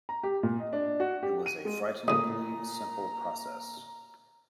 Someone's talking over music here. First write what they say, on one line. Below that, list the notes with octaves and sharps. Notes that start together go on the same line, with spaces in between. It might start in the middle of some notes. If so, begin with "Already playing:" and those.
It was a frighteningly simple process.
A#5
G4
A#2
D#5
D4
F#4
G4
D#7
G#3
A1 A#2 C#3 A#5 D#6